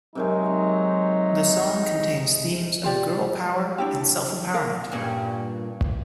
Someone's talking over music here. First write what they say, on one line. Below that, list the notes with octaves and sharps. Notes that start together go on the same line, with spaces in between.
The song contains themes of girl power and self empowerment.
C3 D#3 F#3 G#3 D#4
F4 G4 D5
D4 E4 G4
A#4 F5
G2 A#2 C#4